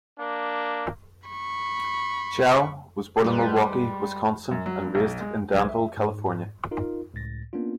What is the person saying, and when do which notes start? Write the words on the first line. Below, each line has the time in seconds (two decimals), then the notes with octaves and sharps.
Chiao was born in Milwaukee, Wisconsin and raised in Danville, California.
0.18 A#3 D4
1.28 B5 C#6
3.24 G3 G#3 B4
4.51 F#2
4.66 F#3
4.82 G2
4.95 B1
5.20 G#3
5.53 B1 F#3 G#3 B4 C5 G#6
5.69 E5
5.97 G#2
6.71 D#4 F4 A#4
7.14 C#2 A2 A6 A#6
7.53 A#3 B3 C#4 D4 F4